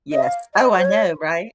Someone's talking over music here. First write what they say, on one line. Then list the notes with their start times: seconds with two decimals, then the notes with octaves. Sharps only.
Yes. Oh, I know. Right?
0.12 D#5
0.23 F5
0.54 D#5
0.78 C5
0.85 C#5